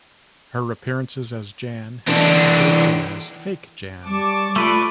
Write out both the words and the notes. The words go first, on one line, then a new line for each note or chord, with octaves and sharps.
Her appearances as Jan have been referred to as 'Fake Jan'.
E3 D4
G3 A5 C#6 D6
A3 F4 B4 D5